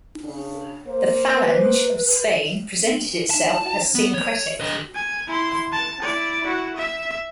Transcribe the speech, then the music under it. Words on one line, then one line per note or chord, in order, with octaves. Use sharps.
The Falange of Spain presented itself as syncretic.
C#3 D4
A#3 C5
B4
A5
B3
C#5
D3 D#5
G#5
E4 C6
A5
E4 D5
E4 F#4
E5